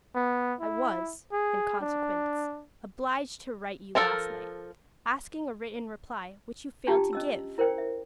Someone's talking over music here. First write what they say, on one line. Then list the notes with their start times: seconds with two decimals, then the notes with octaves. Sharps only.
I was, in consequence, obliged to write you last night, asking a written reply, which you failed to give!
0.15 B3
0.61 E4
1.32 G#4
1.80 D4
3.95 F3 F4 A4 A#4 A5
6.87 D4 F4 G4 G5 A5 A#5
7.13 C#4 D#5 E6
7.58 E4 A#4 C5 D5 G5
7.78 E5